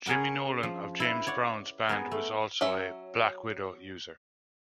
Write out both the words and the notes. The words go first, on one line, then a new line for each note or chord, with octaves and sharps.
Jimmy Nolen of James Brown's band was also a "Black Widow" user.
C#4 G#4 A#4 F#5 B5
F3
E4 B4 F5
C#5 D5 F#5
B3 G#4 A#4
A3
F#3 C#4 E5